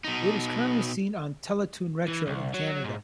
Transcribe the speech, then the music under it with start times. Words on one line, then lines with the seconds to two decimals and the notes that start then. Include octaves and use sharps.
It is currently seen on Teletoon Retro in Canada.
0.04 B2 D#4
2.08 E3
2.27 C2
2.54 F#3
2.84 G#2